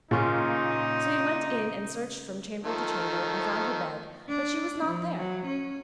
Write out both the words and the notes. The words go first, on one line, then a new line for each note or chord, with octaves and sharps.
So he went in and searched from chamber to chamber, and found her bed, but she was not there.
A#2 C#3 C#4 D#4 F4
D#3 F3 A3
D4
F3
F#3
C#4